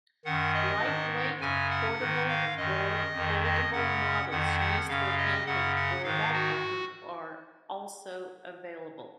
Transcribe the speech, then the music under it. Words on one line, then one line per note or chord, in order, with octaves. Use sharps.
Lightweight portable or foldable models used for camping or back-packing are also available.
F#2 D#3 F#5
D#5
G#2 D#3
F#2 C#3 G#5
F#5
G#2 D#3
F5
F#2 D#3 D#5
F2 D#3
D#5
F#2 C#3 F#5
F2 D#3 F#5
F#5
F#2 C#3 F5
D#5
F#2 C#3 F#5
F#5
G#2 D#3 F5
F#4